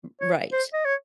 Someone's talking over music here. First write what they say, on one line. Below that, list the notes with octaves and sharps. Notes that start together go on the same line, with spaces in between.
R right.
C#5
C5
D#5
C#5